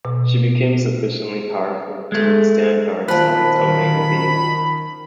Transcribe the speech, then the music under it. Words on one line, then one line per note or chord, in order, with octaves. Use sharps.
She became sufficiently powerful to withstand Darkseid's Omega Beams.
B2
G#3 A3
A#2 D#3 F3 C5 A5 B5 F#6